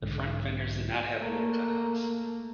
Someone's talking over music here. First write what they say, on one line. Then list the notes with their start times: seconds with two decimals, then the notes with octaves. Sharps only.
The front fenders did not have wheel cutouts.
0.02 B1 G#2 D3
1.19 A3 A#3